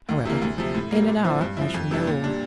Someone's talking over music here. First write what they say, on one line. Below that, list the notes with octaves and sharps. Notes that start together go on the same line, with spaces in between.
However, in an hour I shall know all.
D2
C3 E3 A#3
D2
C3 F3
A2
G3 A#3
A#2
F3 C4 E4
G2
F3 C4 E4
F2
C3 E3 G3 D4
A#2
G3 D4